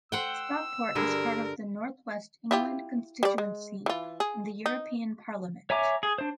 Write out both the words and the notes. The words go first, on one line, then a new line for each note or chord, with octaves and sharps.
Stockport is part of the North West England constituency in the European Parliament.
C5 F#5 G5 E6
G2 D3 G#4 A#4
E4 F4 G4
G3 D5
G#3
E3 F4
G#4
D#4
C#5 E5 G#5 A#5 D6
G#4
D4 C5